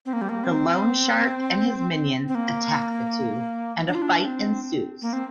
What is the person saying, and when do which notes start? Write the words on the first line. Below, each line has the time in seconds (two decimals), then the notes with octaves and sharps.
The loan shark and his minions attack the two and a fight ensues.
0.06 C4
0.13 A#3
0.21 G3
0.29 A#3
0.44 C4
2.28 C4
2.35 A#3
3.88 D4
3.95 F4
4.02 D4
4.25 C4
5.02 A#3
5.13 C4